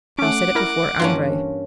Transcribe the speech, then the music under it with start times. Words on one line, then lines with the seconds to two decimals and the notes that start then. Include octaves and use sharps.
You said it before Andrey.
0.19 A3 C#4 F#5 D6
0.55 E4 A#4 A#6
1.00 G2 E3 A#3 C#4 F4 C6